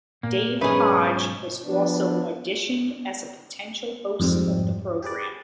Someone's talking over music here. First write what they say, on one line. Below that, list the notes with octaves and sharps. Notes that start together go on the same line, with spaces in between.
Dave Hodge was also auditioned as a potential host of the program.
A#2 A#3
B1 G#2 C#4 D#4 G#4 B4 E5
F3 B3 D4
F2 G#2 G3 C4
G4 G#4 B4 D5